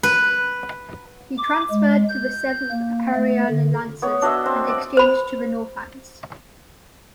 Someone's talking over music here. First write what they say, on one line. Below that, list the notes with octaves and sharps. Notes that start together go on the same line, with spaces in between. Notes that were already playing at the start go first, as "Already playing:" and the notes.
He transferred to the Seventh Hariana Lancers, and exchanged to the Northants.
B4
D6
G#3
G6
A#3
A3
D3
B3 C#5
D4 F#4 D#5 E5
C4
D5
C5 B5